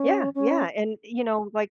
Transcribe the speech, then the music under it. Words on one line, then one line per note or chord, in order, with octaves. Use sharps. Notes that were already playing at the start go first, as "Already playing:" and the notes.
Yeah, yeah, and you know, like,
Already playing: C#4
C#4